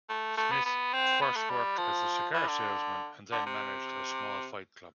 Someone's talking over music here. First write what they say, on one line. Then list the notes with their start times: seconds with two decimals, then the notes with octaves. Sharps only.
Smith first worked as a cigar salesman, and then managed a small fight club.
0.09 A3
0.37 A3
0.52 B3
0.65 B3
0.94 C4
1.21 B3
1.36 A3
1.50 G3
1.78 F3
2.34 E3
2.47 D3
3.32 D3
3.46 C3